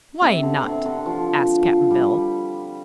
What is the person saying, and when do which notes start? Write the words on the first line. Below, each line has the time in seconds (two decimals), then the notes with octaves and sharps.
"Why not?" asked Cap'n Bill.
0.21 C3
0.43 D3
0.64 C3
0.85 D3
1.06 F3
1.91 G3